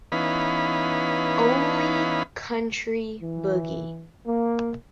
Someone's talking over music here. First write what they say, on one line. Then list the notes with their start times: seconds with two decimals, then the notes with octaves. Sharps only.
Only country boogie.
0.12 E3 B3 C#4 D#4 F5 B5
3.21 E3
4.26 A#3